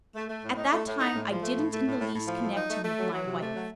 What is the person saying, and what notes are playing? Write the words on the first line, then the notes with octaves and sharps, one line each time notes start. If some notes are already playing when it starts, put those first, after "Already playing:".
At that time I didn't in the least connect him with my wife.
A3
A3
A2
D#4
A3
A2
D#4
A2
F3
A3
A2
A3
A2
A2
A2
F3
F#3
D#4
A3
A3
F#3
F#3
C3
A3
F#3